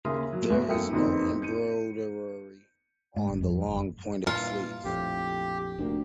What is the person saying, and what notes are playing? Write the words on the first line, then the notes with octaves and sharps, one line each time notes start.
There is no embroidery on the long, pointed sleeves.
D#2 C#3 A#4 E5 C6 D#6
F#3
D#1 E2 A2 B3 F#4 B4
F#2 A3 A#3 G5 D#6 C#7
F#1 F2 D#3 B3 C4 D#4
G6 C#7 D#7
G#2
G1
F2
F#1
G2 A#2 E3 F4
A#1 F2 A2 G4
F1 D2 A#3